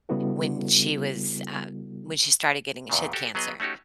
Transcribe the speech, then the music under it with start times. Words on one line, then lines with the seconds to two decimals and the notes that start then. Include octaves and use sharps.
when she was, um when she started getting she had cancer,
0.09 C#3 G3 B3 E4 F#4 A4
2.90 E2 A#2 C#3
3.13 F#4 G4 A4
3.35 F#3 B3 G#4 D#5
3.60 A3 C#4 D#4 F#4 G4